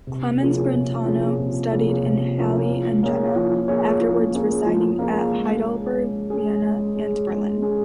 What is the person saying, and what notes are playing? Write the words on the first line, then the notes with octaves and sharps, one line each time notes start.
Clemens Brentano studied in Halle and Jena, afterwards residing at Heidelberg, Vienna and Berlin.
C3
F3 A#3 C#4 G#4
C3
F3 A#3 C#4 G#4
C3
F3 A#3 C#4 G#4
C3
F3 A#3 C#4 G#4
F3
A#3 C#4 G#4 C#5
F3
A#3 C#4 G#4 C#5
F3
A#3 C#4 G#4 C#5
F3
A#3 C#4 G#4 C#5
G#3
C#4 G#4
G#3
C#4 G#4
G#3
C#4 G#4
G#3
C#4 G#4